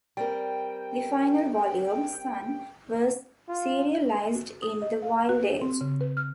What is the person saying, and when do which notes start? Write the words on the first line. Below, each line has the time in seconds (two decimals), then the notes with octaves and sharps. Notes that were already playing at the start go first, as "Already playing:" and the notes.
The final volume, "Sun", was serialized in "The Wild Age".
0.17 G3 C4 A#4 G5
3.48 F4
4.35 F#4
4.62 D#6
4.82 D#5
5.02 F5
5.29 F#4
5.43 G4
5.62 C4
5.81 C#3
6.01 B4
6.17 F6